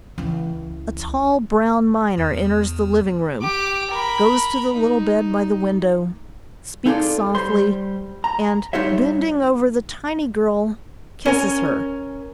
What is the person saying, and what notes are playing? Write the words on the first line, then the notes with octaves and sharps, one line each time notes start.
A tall, brown miner enters the living room, goes to the little bed by the window, speaks softly, and, bending over the tiny girl, kisses her.
C#2 E3
E2
G4 D6
A#4 B5
D#4
C4 D#4 F4 G#4 A4 D5
G3 C5 C6
A#5
G3 D#4 F4 G4 C#5 E5
C#4 A#4 G#5